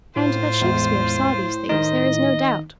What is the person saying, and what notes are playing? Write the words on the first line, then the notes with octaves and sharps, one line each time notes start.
And that Shakespeare saw these things there is no doubt.
A2 F4 C5
E2 G#3
D#3 D#4 D#5